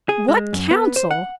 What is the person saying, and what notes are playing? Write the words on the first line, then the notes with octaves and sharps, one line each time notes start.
"What council?"
G#4
G#3
F#2
B3
C5
F#5